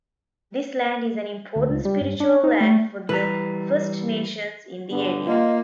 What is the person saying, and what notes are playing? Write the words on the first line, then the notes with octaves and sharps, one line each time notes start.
This land is an important spiritual land for the First Nations in the area.
D2
C#2
G3
G2
D4
D#4
A3
E3 G3 B4 A#5
G2 D3 B3
A#3 F4 D#5